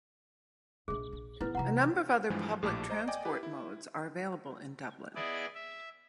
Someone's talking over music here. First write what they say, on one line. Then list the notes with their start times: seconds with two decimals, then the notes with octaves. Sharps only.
A number of other public transport modes are available in Dublin.
0.88 A#1 G#3 G#4
1.12 A#1
1.41 A2 B3 E4 B4
1.55 C3 E3 F#5 A#5
2.30 G2 E3 F3 G3 G#3
2.62 A#1 A2 E4 G4 A5 D6
2.90 C5 D#5 A#5
3.08 D5 D#5 G5 G#5 D6
3.25 E4 G4 B4
3.43 E4
5.15 B3 E4 G#4 D5 D#5
5.55 E5